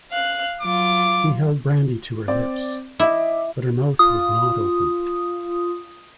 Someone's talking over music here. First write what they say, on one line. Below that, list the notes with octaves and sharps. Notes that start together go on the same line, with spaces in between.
He held brandy to her lips, but her mouth would not open.
F5 F#6
F#3 F4 D6
C4 D5
E4 D#5 E5 D6
F4 D#6